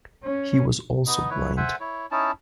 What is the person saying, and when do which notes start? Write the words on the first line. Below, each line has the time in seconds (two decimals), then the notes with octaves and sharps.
He was also blind.
0.23 C#4
1.07 B3 D#4 D#5
1.30 E4 B4 C#5
1.57 C5 E5 F#5 G#5
1.80 E4 C#5
2.11 C#4 D#4 E4 A5